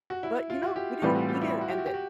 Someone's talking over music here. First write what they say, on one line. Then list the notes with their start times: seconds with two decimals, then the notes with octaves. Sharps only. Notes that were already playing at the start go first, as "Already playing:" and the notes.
but, you know, we didn't we didn't end it.
0.10 F#4
0.23 E4
0.50 F4
0.62 F#4
0.76 G4
1.02 A2 E3 G3 C4 F4
1.15 F#4
1.29 F4
1.42 E4
1.61 F#4
1.70 G4
1.78 F#4
1.86 G4
1.94 F#4